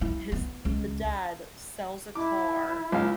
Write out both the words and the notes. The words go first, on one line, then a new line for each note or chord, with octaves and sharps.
his the dad sells a car
E4
B3
C#2
E4 D6
C#2 F5